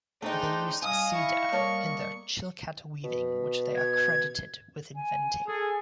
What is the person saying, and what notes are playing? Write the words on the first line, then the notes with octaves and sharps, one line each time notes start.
They used cedar in their Chilkat weaving, which they are credited with inventing.
A3 D4 D#4 G#4 C5 D#5 G5
G3 D#5 F5 G#5 D#6
E4 C#6
G3 A#3 A4 C#5
B2
G#6
G#5
G#4 A4